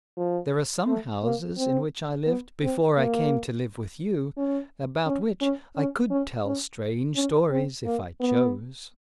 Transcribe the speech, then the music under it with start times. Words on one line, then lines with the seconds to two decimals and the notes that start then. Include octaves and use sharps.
There are some houses in which I lived, before I came to live with you, about which I could tell strange stories if I chose.
0.17 F3
0.87 A3
1.23 A#3
1.57 C4
2.26 B3
2.62 C4
2.97 A#3
4.37 C#4
5.06 C#4
5.41 C#4
5.76 C#4
6.10 C#4
6.45 C#4
7.16 C#4
7.50 C4
7.85 A#3
8.20 B3